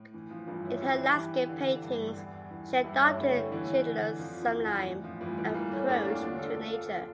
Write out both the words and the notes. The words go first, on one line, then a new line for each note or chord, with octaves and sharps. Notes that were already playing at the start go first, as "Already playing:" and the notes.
In her landscape paintings she adopted Schindler's sublime approach to nature.
Already playing: A2
E3
F3
G2 E3 G3
C#4 E4
E3 E4 G4
E3
D3
G2
E2
E3
G2 E4 G4
C#4 E4
D3 A3 C#4
A3 C#4
D3 E3
D3
F2 F3
E3
D3
F3
A2 E3
F3
A2 E3 G3
E3 G3
E3 G3 A#3
A3 C#4
E2 A#3 D4
D4 F4
D3 D4 F4
F4 A4
D3 F4 A4
F4 A4